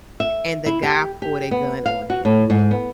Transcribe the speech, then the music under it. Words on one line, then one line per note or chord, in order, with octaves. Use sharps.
and the guy pulled a gun on him,
E5
E4
G4
G4
B3
F5
F#4
A2
G#2
B3